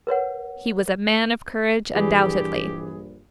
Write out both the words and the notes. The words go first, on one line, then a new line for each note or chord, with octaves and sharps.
He was a man of courage undoubtedly.
A#4 B4 C#5 F#5
A#1 G2 E3 G3 G4 G#4